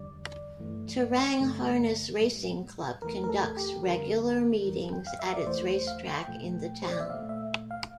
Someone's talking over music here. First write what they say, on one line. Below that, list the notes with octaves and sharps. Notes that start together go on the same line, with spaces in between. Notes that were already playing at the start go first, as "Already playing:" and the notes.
Terang Harness Racing Club conducts regular meetings at its racetrack in the town.
Already playing: E2 D3 G3 D5
G2 E3 A3
G2 D3 A3
A2 G3
E2 E3 A3 A#4
A#4
A4
G4
F2 D3 G3 A#4
F2 E3 G3
G5
F5
E5
D5
E2 E3 A3 C5
C5
F5
G5
A#2 F3 A3
C5
D5
E5
A#2 A3 F5
E5
F5